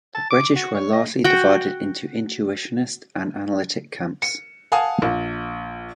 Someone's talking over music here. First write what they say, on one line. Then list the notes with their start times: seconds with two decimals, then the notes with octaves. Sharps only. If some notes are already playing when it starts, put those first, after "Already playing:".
The British were largely divided into intuitionist and analytic camps.
0.15 A5
0.30 D6
0.56 F#4
0.74 C#5
0.93 D#5
1.24 F#4 G5
4.22 C#7
4.72 F5 F#5 G#5 A5 D#6
5.02 A#1